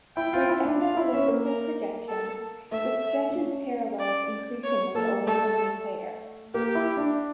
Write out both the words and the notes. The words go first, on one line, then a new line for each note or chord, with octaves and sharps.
Like any cylindrical projection, it stretches parallels increasingly away from the equator.
E4 G5
F4
E4
D4
F4 F5
E4
C#4 E5
A#3
A#4
A4
A3 E5
D4
C#4
D5
C#5
A#3 A4
A3 A4
A#3 G4
E4
D4